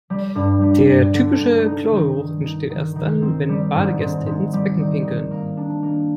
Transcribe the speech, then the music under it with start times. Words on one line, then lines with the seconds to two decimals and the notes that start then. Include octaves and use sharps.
Der typische Chlorgeruch entsteht erst dann, wenn Badegäste ins Becken pinkeln.
0.10 G3
0.35 G2
0.61 G3
0.87 G2
1.13 D3
1.40 G2
1.66 D#4
1.91 D#3
2.19 D#3
2.44 D#4
2.70 D#3
2.96 D#3
3.22 C4
3.49 G3
3.75 G#2
4.01 G#2
4.26 G#2
4.53 G3
4.79 D#3
5.04 D#3
5.31 A#3
5.57 D4
5.83 A#3